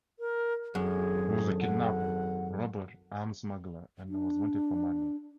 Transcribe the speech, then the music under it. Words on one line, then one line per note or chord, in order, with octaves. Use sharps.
He was a kidnapper, robber, arms smuggler and was wanted for murder.
A#4
G#1 F#2 G#3 G#4 A4
F#5
D4